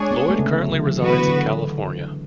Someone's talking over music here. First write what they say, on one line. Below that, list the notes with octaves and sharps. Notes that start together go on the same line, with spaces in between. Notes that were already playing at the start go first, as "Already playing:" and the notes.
Lloyd currently resides in California.
Already playing: G#3 D4 G#4 C#5
B3
A3
C#3
D3
F#3
E3
D3
F#3
E3 B3 F#4 B4
D3
D3